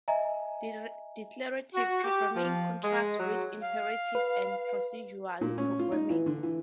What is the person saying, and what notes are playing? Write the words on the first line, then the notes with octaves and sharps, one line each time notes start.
Declarative programming contrasts with imperative and procedural programming.
D#5 E5 G#5 A#5
F#4
G4
F3
G#3
F#3
F5
B4
A#2
C#4
F4
D#4
E3
D3
E3